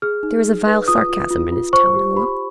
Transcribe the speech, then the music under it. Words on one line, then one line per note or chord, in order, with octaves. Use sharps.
There was a vile sarcasm in his tone and look.
G#4 F6
D#4
G#4
B4
F4 D#6
F4
F4
F4
C5 C#6
G4
G4 B5